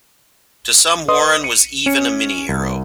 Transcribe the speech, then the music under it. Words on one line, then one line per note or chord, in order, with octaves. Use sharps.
To some Warren was even a mini-hero.
B4 D#5 C6 D#6
C#7 D#7
C#4 C#7
C2